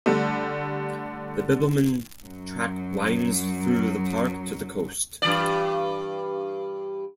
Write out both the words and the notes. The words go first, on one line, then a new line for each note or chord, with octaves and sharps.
The Bibbulmun Track winds through the park to the coast.
D3 G3 A3
F#2 F#3
G2 E3 D5